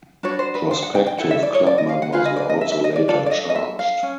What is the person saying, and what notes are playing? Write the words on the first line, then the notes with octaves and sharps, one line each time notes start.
Prospective club members were also later charged.
D4 F#4 B4 C#5
C5
B4
C5
F#5
G5
G5
E4 A4 F#5
E5
D5
C#5
D5
D#5
F5
F#5
F4 G#4 B4 F5
D#5
D5
D#5
E5
E5
D#5
D5
D4 F4 A4 D5
D5
D#5
D#5
E5
F5
C#4